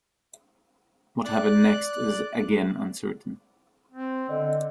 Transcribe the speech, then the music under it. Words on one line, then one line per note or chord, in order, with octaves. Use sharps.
What happened next is again uncertain.
D5 F#6
C4
D3 D5 D#5